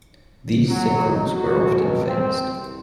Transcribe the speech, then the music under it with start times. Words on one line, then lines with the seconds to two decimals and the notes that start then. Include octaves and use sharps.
These sinkholes were often fenced.
0.68 F#3
1.03 D#4
1.32 F#4
1.75 C#2
2.06 C4
2.42 C2